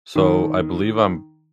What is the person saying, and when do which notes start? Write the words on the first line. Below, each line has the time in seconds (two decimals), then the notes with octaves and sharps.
So I believe I'm
0.16 D#3